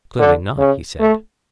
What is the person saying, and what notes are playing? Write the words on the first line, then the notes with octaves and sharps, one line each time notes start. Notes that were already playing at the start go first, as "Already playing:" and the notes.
Clearly not, he said.
D3
C#3
A3